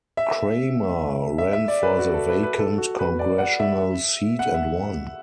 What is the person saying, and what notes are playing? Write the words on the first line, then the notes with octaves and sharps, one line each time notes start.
Cramer ran for the vacant Congressional seat and won.
E5
E5
E5
D5
B4
F#4
A4
B4
B4
A4
F#4
B4
D5
F#5
E5
F#5
E5